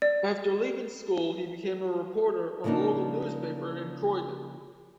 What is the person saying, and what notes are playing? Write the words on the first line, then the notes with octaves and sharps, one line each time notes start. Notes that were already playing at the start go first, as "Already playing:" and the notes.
After leaving school he became a reporter on a local newspaper in Croydon.
D5
C#3 F3 A#3 D4 D#4